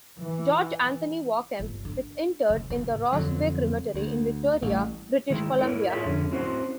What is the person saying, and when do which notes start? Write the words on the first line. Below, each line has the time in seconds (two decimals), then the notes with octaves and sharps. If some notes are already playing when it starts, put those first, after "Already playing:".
George Anthony Walkem is interred in the Ross Bay Cemetery in Victoria, British Columbia.
0.20 E3
1.59 G1
1.85 D4
2.50 C#3
2.70 C#3
2.84 G#1
3.13 F2 D3 F#3
3.94 D2
4.62 A1 G3
5.30 D#3 G#3 E4
5.59 E4 A#4 C#5
5.90 F4 G#4 C#5 E5
6.05 F2 D3 C#4
6.31 C4 C#4 E4 F#4 B4 C5